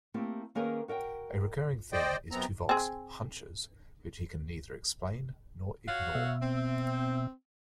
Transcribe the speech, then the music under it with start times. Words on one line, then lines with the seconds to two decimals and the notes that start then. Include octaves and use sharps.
A recurring theme is Tuvok's "hunches", which he can neither explain nor ignore.
0.14 A3 A#3 C4 E4 G4
0.55 D#3 A#3 C#4 G#4 A#4 B4
0.88 F#4 A#4 F5 G5
1.92 C5 D5 D#5 G5
2.32 F#2 B3 C4 A#5
2.69 C4 G#4
5.87 F#4 C#5 F5
6.15 B2 E5
6.42 C4